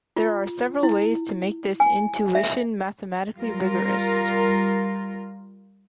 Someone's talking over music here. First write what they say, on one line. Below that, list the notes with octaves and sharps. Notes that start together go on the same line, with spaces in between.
There are several ways to make this intuition mathematically rigorous.
F4
E4
G#5
E5
G3 F4 A#4